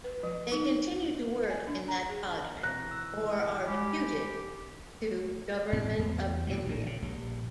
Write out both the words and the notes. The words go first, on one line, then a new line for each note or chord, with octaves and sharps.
They continue to work in that cadre or are deputed to Government of India.
B4
F3
D#4
E4
G#5
D4
A#5
G#4
B2 E3 C4 A#5 F#6 A#6
E6
G3 G#3 G4 G#5 B5
E1 A2 C4
E2
A#2 E3 F#3 G3
A#1 A2
C#3
A#1 G2